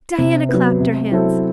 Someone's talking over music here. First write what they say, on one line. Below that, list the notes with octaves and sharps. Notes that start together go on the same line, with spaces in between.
Diana clapped her hands.
C3
F#3 B3
C3
F#3 C4 E4 A4